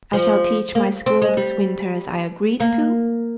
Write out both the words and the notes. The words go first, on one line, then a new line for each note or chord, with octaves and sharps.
I shall teach my school this winter as I agreed to.
F3
A#3
C4
G#3
G3
A#3